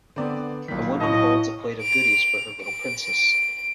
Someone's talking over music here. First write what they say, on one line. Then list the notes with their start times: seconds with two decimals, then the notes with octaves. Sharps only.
A woman holds a plate of goodies for her little princess.
0.16 D3 B3 C4 D5
0.68 B1 A#2 D#3 B6
1.00 A2 D#5 A5 C#6
1.82 D7 F7
2.62 D7